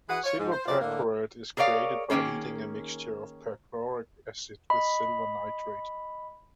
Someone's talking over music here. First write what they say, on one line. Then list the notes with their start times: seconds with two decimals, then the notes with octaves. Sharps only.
Silver perchlorate is created by heating a mixture of perchloric acid with silver nitrate.
0.09 E3 F#4 G#4 B4 F#5
0.24 F4 C#5
0.38 G#2
0.52 C5
0.66 C3 F#3 C4 F4 D5
0.79 A2 D3 A#3
1.57 G#4 A#4 C#5 D5 F5
2.10 D#3 E3 A#3 C#4 G#4
4.70 D#5 B5